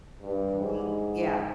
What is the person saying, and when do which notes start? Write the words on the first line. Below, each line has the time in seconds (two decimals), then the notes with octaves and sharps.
Mhm, yeah.
0.22 G2
0.60 G#2